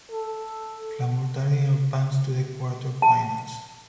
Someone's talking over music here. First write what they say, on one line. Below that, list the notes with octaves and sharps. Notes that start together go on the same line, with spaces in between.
Flamurtari advanced to the quarter finals.
A4
A5